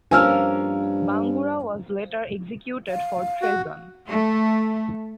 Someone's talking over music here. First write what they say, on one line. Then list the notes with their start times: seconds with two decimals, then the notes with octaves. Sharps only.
Bangura was later executed for treason.
0.11 G2 F3 A#3 C#4 G#5 E6 F6
2.88 F5
3.42 F#4
4.08 A3